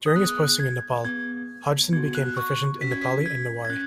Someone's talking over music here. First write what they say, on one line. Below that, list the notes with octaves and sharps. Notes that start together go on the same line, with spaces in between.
During his posting in Nepal, Hodgson became proficient in Nepali and Newari.
D#6
B3 G#4 F#6
G#6
B3 G#4 G#6
B3 F#4 G#6
F#6
C#6
C#4 F#4 B6
G#6
B6
G#6
G#6
C#4 F#6